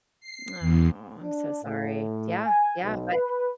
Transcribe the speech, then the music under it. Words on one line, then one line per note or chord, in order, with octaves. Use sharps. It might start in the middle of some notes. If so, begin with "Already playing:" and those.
Oh, I'm so sorry. Yeah. Yeah. But
C7
E2
D4
A2
G#5
B1
B4